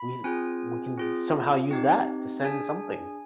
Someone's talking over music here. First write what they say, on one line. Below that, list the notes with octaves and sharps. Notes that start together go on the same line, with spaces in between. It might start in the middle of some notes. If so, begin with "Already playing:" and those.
we we can somehow use that to send something?
Already playing: B5
C4 F4 G#4 G#5
C4 F4 G#4
C4 D#4 G4
D4 G#4 G#5